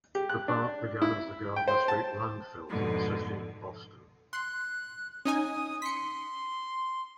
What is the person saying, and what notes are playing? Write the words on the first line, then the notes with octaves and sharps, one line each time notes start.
The park began as the Gardner Street Landfill for the city of Boston.
G4
F#6
D4
E4
G5
C5
A5
F2 G#2 B2 D3
C6 F#6
C#4 D#4 G#5 D#6
C6 B6 C#7